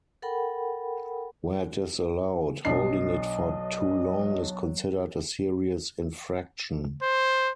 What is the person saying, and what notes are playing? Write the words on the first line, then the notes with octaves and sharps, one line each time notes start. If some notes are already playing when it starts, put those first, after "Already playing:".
Where it is allowed, holding it for too long is considered a serious infraction.
A4 A#4 F#5 G5 B5
B1 F#3 D4 D#5 C7
C5